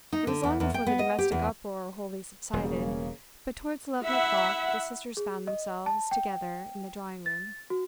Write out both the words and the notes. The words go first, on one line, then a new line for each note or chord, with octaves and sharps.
It was long before the domestic uproar wholly subsided, but towards eleven o'clock the sisters found themselves together in the drawing-room.
D#4
D3
E2
E2
G5
B3
D#5
G4
E2
E1 C#3 G3 A#3
E4 E5 F#5
G#4
D#5
A5
G5
A6
F#4